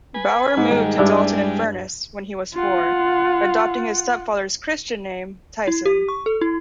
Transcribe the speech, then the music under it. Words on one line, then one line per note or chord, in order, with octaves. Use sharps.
Bower moved to Dalton-in-Furness when he was four, adopting his stepfather's Christian name Tyson.
B4 G#5
G#2
D#3 G3 G#3
G2 D4 E4
F4 F#5
E4
G4
C#6
A4
E4